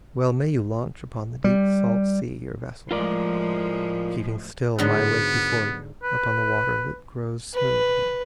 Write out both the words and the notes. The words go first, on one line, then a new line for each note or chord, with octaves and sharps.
Well may you launch upon the deep salt-sea Your vessel, keeping still my wake before you Upon the water that grows smooth again.
G3
A2 F3 G#3 F4 A#4 D5
G#2 D3 F#3 B3
B4
B4